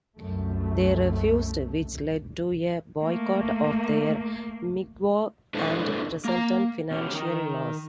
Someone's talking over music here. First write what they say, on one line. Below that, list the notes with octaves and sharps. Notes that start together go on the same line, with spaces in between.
They refused, which led to a boycott of their mikvah and resultant financial loss.
C2 F#2 A3
A3 A#3
D4 E4 A4 B4 C5
A#3 A#5
B2 C#4 G4
D#3 D#4